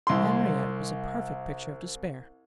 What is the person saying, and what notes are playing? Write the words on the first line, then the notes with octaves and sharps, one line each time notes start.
Henriette was a perfect picture of despair.
C2 C6